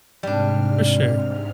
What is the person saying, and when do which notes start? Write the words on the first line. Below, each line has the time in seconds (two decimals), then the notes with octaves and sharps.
For sure.
0.23 G#2 C3 G3 D4 F6